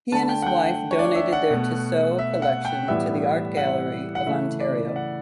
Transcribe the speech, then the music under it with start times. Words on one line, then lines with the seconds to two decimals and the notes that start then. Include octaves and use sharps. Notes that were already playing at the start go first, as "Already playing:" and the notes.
He and his wife donated their Tissot collection to the Art Gallery of Ontario.
0.11 D3 A3 A5
0.23 A5
0.29 G5
0.42 F#5
0.46 G5
0.64 F#5
0.91 C#5
0.99 D5
1.15 E5
1.32 F#5
1.50 B2 A3
2.19 E5
2.42 F#5
2.65 G5
2.88 A2 E3 G3 B3 E5
3.57 F#5
4.15 F#5
4.26 C#3 E3 A3 E5
4.60 D5
4.96 F#5